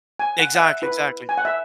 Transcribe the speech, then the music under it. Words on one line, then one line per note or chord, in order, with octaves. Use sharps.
Exactly. Exactly.
G#5
F#5
F#5
E5
E4 B4
G#5
F#5
E5